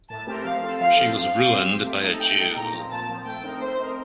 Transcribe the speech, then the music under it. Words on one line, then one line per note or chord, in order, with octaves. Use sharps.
She was ruined by a Jew.
A2 A5
A3 C4 G4 A#4
F3 F5
C4 F4 A4
F3 F5
C4 F4 A4
F3 F5
C4 G4
F3
C4 G4
A3
D#4 A4
A3 G5
D#4 A4
A#2 A#5
F3 C4
A#2 A5
F3 C4
A3 G5
C4 D#4 A#4
A3 C5
C4 D#4 A#4